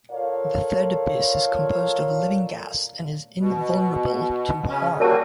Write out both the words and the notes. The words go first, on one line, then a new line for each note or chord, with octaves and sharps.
The third Abyss is composed of living gas and is invulnerable to harm.
F4 A4 A#4 C#5 D5 F5
B2
C#3 C#4
G3 A#3 F#4 A#4 C#5 A5